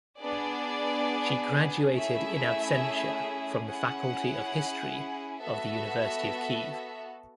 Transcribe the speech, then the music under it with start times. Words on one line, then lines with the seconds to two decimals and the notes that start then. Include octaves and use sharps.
She graduated in absentia from the Faculty of History of the University of Kyiv.
0.19 B3 D4 G#4 D5
1.93 A3 C#4 E4 G#4 E5
3.67 C#4 E4 G#4 F#5
5.41 B3 F#4 A4 E5